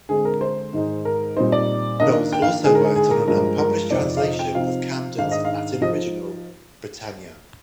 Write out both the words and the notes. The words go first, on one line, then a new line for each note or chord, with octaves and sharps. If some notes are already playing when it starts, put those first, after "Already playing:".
Knolles also worked on an unpublished translation of Camden's Latin original, Britannia.
D3 G#3 C4 G#4
A#4
C5
G#2 D#3 G#3 D#4
A#4
A#2 G3 C4 D#4 C5
D5
D#3 A#3 D4 D#5
G5
F5
D3 G#3 D#4 G#4
A#4
G#4
G#4
A#4
G2 F3 G#3 A#4
A#4
F2 C3 F3 C4 D#4 D5
F5
D#5
G5
C3 F3 C4 D#4 F5
G#2 D#3 G#3 D4 F5
D#5
F5
F3 D#4 D#5